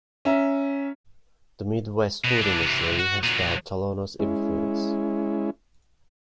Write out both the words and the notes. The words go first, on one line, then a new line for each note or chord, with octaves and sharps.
The Midwest food industry has felt Tolono's influence.
C#4 E5 A#5
B2
E3 D4
C3 E3
F#4
A#2 F#3
G#3 C#4 E4